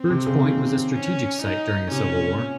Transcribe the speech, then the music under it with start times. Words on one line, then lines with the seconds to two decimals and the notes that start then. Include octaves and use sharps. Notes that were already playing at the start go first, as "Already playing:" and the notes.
Bird's Point was a strategic site during the Civil War.
Already playing: C4
0.10 C3
0.27 C#3
0.43 D#3
0.92 C#4
1.42 D#4
1.91 C3 C#4
2.16 A#2